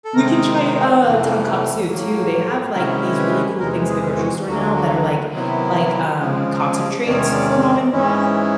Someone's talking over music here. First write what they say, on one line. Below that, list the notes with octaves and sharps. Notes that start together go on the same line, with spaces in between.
you can try uh Tonkatsu too. They have like these really cool things at the grocery store now that are like like, um, concentrates for ramen broth.
A4
C3 D#3 G#3 C4 D#4 A#4
F2 C3 E3 A3
A2 F#3 A#3
C3 D#3 G#3 C#4 E4 A#4
B4
E2 C3 E3 G#3 A#4
G#4
F#4
D2 D3 F#3 A#3 F#4
F#4
B4
C3 D#3 F#3 B3 E4
C#3 F3 G#3
E2 C3 D#3 G#3 C#4 D5
C#5
D5
G#2 E3 G#3 C#4 E4